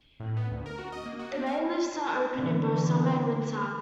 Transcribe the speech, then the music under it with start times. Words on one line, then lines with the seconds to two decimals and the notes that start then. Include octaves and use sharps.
The main lifts are open in both summer and winter.
0.20 A2
0.37 B3
0.51 D2
0.66 A#4
0.78 F#4
0.92 D#5
1.06 A#3
1.19 F#4
1.32 D4
1.46 F5
2.35 D3 E3